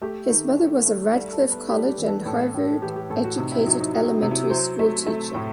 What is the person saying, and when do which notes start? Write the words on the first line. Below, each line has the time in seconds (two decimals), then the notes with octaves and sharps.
His mother was a Radcliffe College- and Harvard-educated elementary school teacher.
0.02 A3 G4
0.29 D#3
0.58 D#3
0.86 A3
1.13 G3
1.32 A4
1.42 B3
1.52 B4
1.69 G3 G4
1.89 G4
1.98 E3
2.07 A4
2.26 A2 A4
2.54 A2
2.82 E3 G4
2.96 G4
3.10 A2 A4
3.24 F#4
3.38 C3 D#4
3.52 E4
3.66 F#3 D#4
3.81 D#4
3.94 F#3 D#4
4.22 C3
4.31 E4
4.50 F#3 C5
4.79 A3
5.07 A3
5.34 A2